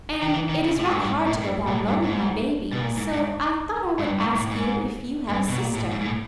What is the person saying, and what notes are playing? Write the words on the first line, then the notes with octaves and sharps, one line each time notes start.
"And it is right hard to go about alone with my baby, so I thought I would ask you if you have a sister."
D#3
E3
D#3
C#3
A2
G#2
G2
G#2
A2
G2
A#2
A2
G2
G#2
B2
A#2
G#2
G#2
G#2
G2
G#2
A2
G#2
G2
B2
A#2
A2
G#2
G#2
A2